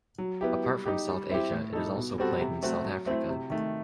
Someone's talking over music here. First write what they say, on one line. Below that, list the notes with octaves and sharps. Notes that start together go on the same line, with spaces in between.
Apart from South Asia, it is also played in South Africa.
F#3
B3 E4 G4
G3
D#4 G4
G3
C4 E4 G4
A2
G3 D#4 A4
B2
G3 C4 F#4 A4
C3
F#3 A3 C4 F#4
F#3
A3 C4 E4
C3
D#3 A3